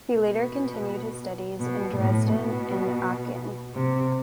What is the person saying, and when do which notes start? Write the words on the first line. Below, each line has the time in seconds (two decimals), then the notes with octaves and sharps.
He later continued his studies in Dresden and Aachen.
0.17 B2
1.60 B2
1.97 A2
2.33 B2
3.75 C3